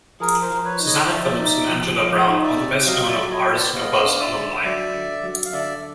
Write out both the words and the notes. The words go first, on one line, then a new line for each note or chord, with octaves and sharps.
Susanna Phillips and Angela Brown are the best known of Ars Nova's alumni.
F3 G#4 A#4
A#4 C5
F3
B4 C#5
D#4
C#5 D#5
F3 D5 E5
D#4
F3
F3 D#5 F5
D#4
D5 E5
C3
F#3 D#5 F5
D5 E5
F#3
C#5 D#5
B3
C5 D5
B3 D#5 F5
D4 F5
D5 E5
D3
F#3 D5 E5
D3
F#3
F5
D3 D5 E5